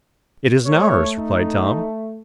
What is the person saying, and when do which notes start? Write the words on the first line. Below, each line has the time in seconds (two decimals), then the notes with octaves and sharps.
"It isn't ours," replied Tom.
0.66 A3 C#5
1.19 D#4